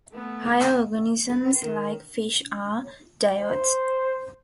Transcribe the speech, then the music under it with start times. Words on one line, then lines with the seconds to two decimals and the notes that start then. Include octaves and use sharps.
Higher organisms like fish are diodes.
0.13 A3 B3
1.29 B4
1.62 D#3
3.39 C5